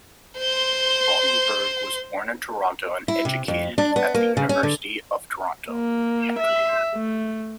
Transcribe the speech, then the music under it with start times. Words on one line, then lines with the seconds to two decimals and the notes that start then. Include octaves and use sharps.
Rotenberg was born in Toronto, and educated at the University of Toronto.
0.38 C5 C6
3.08 E4
3.25 C3
3.48 F2
3.78 D4
3.96 B3
4.14 A#3
4.37 C#3
4.49 C#4
4.63 D3
5.70 A#3
6.39 E5
6.95 A3